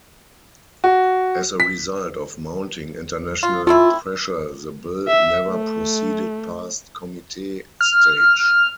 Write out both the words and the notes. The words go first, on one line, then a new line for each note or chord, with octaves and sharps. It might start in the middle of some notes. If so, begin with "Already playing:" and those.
As a result of mounting international pressure the bill never proceeded past committee stage.
F#4
B6
F4
A3 C4 E4 F4
E5
A3
F6